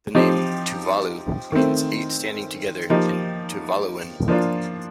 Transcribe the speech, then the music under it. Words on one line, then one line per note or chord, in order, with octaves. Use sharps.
The name, Tuvalu, means "eight standing together" in Tuvaluan.
F3 C4 D#4 G4
D#3 A3 C4
F3 A#3 D#4 G4
F3 A#3 D4 F4